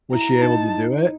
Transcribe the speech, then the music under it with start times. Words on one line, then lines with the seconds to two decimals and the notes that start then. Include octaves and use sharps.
Was she able to do it?
0.12 E4 A#5
0.42 D#4 A5